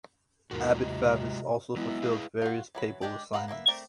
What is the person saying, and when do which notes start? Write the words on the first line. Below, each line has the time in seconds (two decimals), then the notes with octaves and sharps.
Abbot Favus also fulfilled various papal assignments.
0.51 D#2 G#2 B2 G#3 F4 F#4 A#4
0.82 C3 D#5
1.76 E3 F#3 G#3 B3 E4
2.02 G#4 B4 F5
2.42 F4 F#4
2.75 E3 F#3 B5
3.01 G#3 D4 G4 D5
3.33 B3 F5 F#5 A#5 B5
3.48 A#3 B3 C#5 E5
3.68 A3 C4 A#4 D5